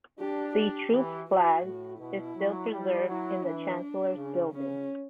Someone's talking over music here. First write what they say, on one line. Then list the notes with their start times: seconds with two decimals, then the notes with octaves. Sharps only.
The troop's flag is still preserved in the Chancellor's building.
0.19 D4 G4
0.55 G4
0.91 E3
1.28 F#4
1.63 A2
1.99 B2 E4
2.36 F#3
2.72 G3
3.08 F#3 E4
3.44 E3 D4
4.16 C#3
4.51 C#3 C#4